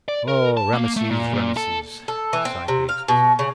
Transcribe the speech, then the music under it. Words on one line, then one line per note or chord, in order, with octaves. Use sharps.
"O Rameses, Rameses!" sighed the exquisite.
D5
A#4
A5
A#3
A3
A#2
A#2
A4
A4
E3
C4
C3
F5
B2
C#3